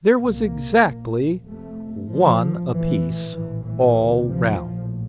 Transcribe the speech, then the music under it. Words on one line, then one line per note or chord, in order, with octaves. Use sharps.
There was exactly one a-piece all round.
C2 A#2 A#3
A#1 A#2
F1 F2 C3 A3
A1 G2 F3
A#1 A2 E3
A#1 A2 E3
E3
D2 C3
F3
A#1 A2